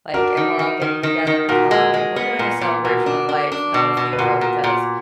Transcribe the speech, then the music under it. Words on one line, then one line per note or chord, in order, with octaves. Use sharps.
like and we're all getting together and talk and we're doing a celebration of life, not a funeral because
D4 F#4 A#4
D#3
D#3
D#3
D#3
D#3
A#2 F#4 A#4
G#3
G#3
B3
A#2
A#2
B2 F#4 A#4
D4
D4
D4
B2
B2
B4
A#2 F#4 A#4
A#2
A#2